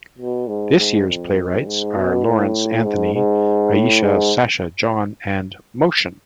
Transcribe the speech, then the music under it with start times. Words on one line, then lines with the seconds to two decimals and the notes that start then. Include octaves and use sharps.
This year's playwrights are Laurence Anthony, Aisha Sasha John and Motion.
0.19 B2
0.48 G#2
0.78 G#2
1.08 F2
1.66 G#2
1.97 B2
2.26 A2
2.84 G#2
3.14 G#2
3.73 A2
4.02 G#2